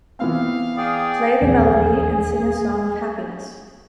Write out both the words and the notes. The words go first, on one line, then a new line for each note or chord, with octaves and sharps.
Play the melody and sing a song of happiness.
E3 B3 C4 F5
G#4 D5 G5 D#6
D#1 A#1 E2 G#4